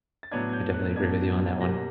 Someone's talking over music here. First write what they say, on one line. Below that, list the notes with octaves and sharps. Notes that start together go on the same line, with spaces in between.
I definitely agree with you on that one.
A6
A2 F#3 B3 D4 G#6
G#6
G6
F#6
A2 F#3 B3 D4 G#6
B2 G3 A#3 A#6